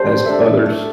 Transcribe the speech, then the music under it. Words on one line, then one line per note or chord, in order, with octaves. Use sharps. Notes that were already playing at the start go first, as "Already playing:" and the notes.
as others,
Already playing: G3 D4 A4 C5
D4 A4 E5
A3